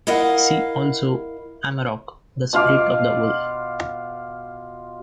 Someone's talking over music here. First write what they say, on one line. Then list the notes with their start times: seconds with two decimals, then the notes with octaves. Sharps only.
See also; Amarok, the spirit of the wolf.
0.07 E4 A#4 D#5 F5 F#5
2.53 B2 F4 F5 D6